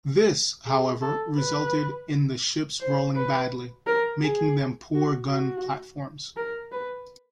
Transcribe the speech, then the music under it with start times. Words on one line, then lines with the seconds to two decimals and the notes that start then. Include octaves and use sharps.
This, however, resulted in the ships rolling badly, making them poor gun platforms.
0.67 G#4
1.02 A4
1.37 B4
2.80 C5
3.15 B4
3.87 A#4
4.23 G#4
4.94 F#4
5.30 F#4
6.37 A#4
6.72 B4